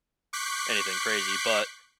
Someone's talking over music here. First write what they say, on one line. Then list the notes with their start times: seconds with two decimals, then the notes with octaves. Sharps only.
anything crazy, but,
0.33 C#6 D6 F#6 G6 B6 C7